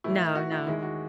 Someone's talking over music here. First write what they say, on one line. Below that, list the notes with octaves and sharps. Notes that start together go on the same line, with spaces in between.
No, no.
A2 E3 A3 E4
F#4
E4
D#2 D#3 G#3 E4
F#4